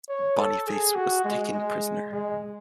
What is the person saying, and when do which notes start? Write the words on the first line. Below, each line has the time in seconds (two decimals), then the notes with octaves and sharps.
Boniface was taken prisoner.
0.09 C#5
0.38 A4
0.67 G#4
0.95 F#4
1.25 G#3
1.54 G#3
2.12 G#3